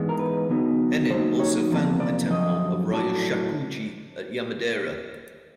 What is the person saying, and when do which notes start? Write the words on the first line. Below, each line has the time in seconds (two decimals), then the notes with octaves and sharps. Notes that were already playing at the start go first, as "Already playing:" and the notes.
Ennin also founded the temple of Ryushakuji at Yamadera.
Already playing: G#2 E3 G#3 B3
0.09 A#4
0.19 B4
0.49 D3 F#3 B3 D#4
1.10 D3 F#3 A#3 D#4 C5
1.39 C#5
1.71 E2 C3 F3 A#3 D4
2.00 D5
2.30 F#2 D3 F3 D#5
2.91 A2 F#3 A3 D4